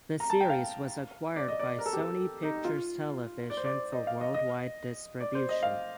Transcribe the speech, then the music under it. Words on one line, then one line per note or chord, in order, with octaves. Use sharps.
The series was acquired by Sony Pictures Television for worldwide distribution.
A#5
A5
G5
F5
D5
D#5
D5
A#4
A4
G4
A4
D#4
F4
D5
C5
D5
D#5
F5
D#5
D#5
D5
C5
D#5
F5